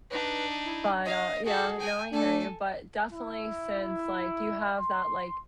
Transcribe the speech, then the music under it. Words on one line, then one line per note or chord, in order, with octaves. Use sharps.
But, uh yeah, no I hear you. But definitely, since, like, you have that, like
D4 D#4 B4
E4
D#5 F5
F#4 G#4 A4
G5 G#5
A3 D4 A4 G#5
E4
E4
C6